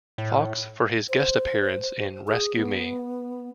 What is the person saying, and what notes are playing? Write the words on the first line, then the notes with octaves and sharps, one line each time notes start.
Fox for his guest appearance in "Rescue Me".
A2
C5
G#4
B3